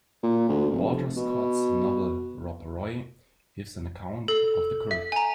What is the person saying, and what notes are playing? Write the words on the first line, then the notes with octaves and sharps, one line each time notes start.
Walter Scott's novel "Rob Roy" gives an account of the kirk.
A#2
D2
F1
B2
A4
E5
G#5 A#5